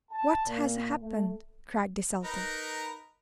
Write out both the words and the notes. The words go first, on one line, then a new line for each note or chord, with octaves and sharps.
What has happened?' cried the Sultan.
A5
A#2
A3
D#4 A#4 B4